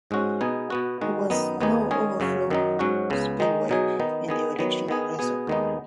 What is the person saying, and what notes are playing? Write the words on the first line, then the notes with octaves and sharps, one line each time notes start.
There was no overflow spillway in the original reservoir.
G#2 G#3 C#4 F#4
B2 B3 D#4 G#4
B2 B3 F#4
D#3 G#3 D#4 F#4
F#2 D#3 B3 D#4
D#2 D#3 B3 D#4 G#4
D#3 G#3 C#4 G#4
F#2 C#3 F#3 C#4
F#2 D#3 F#3 D#4
G#2 F#3 C#4 F#4
C#2 C#3 B3
D#3 G#3 D#4
B2 F#3 D#4 G#4
D#3 B3 D#4
D#3 B3 G#4
D#3 F#3 B3
D#3 B3 G#4
B2 B3 G#4
D#2 D#3 G#3 B3 D#4